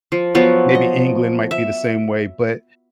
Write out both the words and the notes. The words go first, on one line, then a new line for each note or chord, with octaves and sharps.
maybe England might be the same way. But,
F3
F3 F#3 B3
D#5
E5